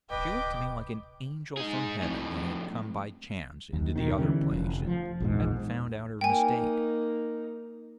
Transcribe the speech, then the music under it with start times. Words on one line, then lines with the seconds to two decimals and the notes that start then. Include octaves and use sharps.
She looked to me like an angel from heaven that had come by chance into the other place and hadn't found out her mistake.
0.10 D1 C3 B4 D#5 G5 D6
1.57 D#4 G#4
2.02 F2 A2
3.73 D#2
3.96 B2 D#3
4.18 D3 E3 G3 C#4
4.51 F1 F3
4.87 F3
5.20 A#1 E2 G#2
6.21 A#3 D#4 G5 G#5